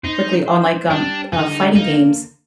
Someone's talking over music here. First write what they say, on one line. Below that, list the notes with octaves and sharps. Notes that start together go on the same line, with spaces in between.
quickly on like, um, uh, fighting games.
D#4 C5
C5
G3 D4
D3 D#4
A#3 D#4